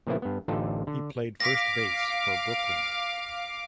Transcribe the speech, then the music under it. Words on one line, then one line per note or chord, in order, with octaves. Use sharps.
He played first base for Brooklyn.
A#2 C#3 F3 A#3 B3 E4
G2 B3
A1 D3 D#4 F4 A4 G5
D3
F5 D6 A#6 B6